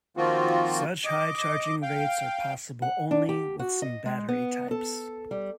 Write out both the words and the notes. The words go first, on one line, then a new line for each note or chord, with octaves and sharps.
Such high charging rates are possible only with some battery types.
D#3 F3 A#3 C4 F4 F#4
D#5 D6
F5 G5
F#5
D4
G4
F#4
D#5
G#3
B3
A4
G3